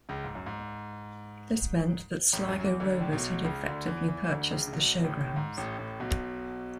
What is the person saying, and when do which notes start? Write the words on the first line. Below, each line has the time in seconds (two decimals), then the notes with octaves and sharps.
This meant that Sligo Rovers had effectively purchased the Showgrounds.
0.09 C#2 C#3
0.24 G#2
0.35 F#2
0.46 G#2
2.33 A1 A2
2.48 F#2 F#3
2.65 E2 E3
2.80 D2 D3
3.01 A2
3.12 B1 B2
3.44 C#2 C#3
3.66 D2 D3
3.86 E2 E3
4.08 E2 E3
4.24 E3
4.29 D2 D3
4.51 C#2 C#3
4.68 C#3
4.73 B1 B2
5.04 A1 A2
5.24 A2
5.36 G#2
5.57 A1 A2
5.79 A1 A2
6.00 B1 B2